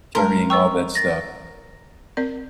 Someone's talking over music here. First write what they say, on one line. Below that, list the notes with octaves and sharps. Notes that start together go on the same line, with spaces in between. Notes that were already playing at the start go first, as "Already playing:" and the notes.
carrying all that stuff
G#3 A#4 A5 C6
B4 G5 C#6 E6
A6 A#6
C4 A#4 D5